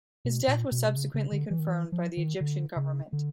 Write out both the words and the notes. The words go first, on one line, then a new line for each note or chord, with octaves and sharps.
His death was subsequently confirmed by the Egyptian government.
B2
A#2
B2
C3
C#3
C#3
D3
E3
D#3
E3
F3
D#3
D3
C#3
D3